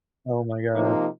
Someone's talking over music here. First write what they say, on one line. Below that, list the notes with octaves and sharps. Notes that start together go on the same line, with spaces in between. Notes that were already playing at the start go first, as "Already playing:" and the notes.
Oh my god.
C3 F3 A#3 D#4